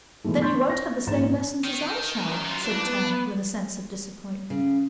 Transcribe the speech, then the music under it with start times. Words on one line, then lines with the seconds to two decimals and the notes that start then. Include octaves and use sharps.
"Then you won't have the same lessons as I shall?" said Tom, with a sense of disappointment.
0.24 B2 E3 F#3 G#3 A3
0.42 C6 C#6 G6 A6 B6
0.67 C#6 A#6
1.07 A#1 G#2 C5 A#5 A6 E7
1.64 D#3
2.21 F#2
2.45 D#3 F4
2.62 E3 F#3 D4
2.86 B3
4.50 C#3